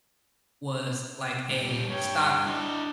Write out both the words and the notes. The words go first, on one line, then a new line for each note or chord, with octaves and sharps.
was like a stock
A#2 G3
G2 C#5 G5
D4 E4 D#5